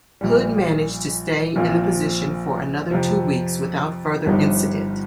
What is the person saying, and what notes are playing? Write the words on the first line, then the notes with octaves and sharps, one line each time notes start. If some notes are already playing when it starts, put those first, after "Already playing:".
Hood managed to stay in the position for another two weeks without further incident.
A#1 A#2 G3
A#1 A#2 F3 C4 F4
F2 C3 F3
G1 G2 F3 D#4 G4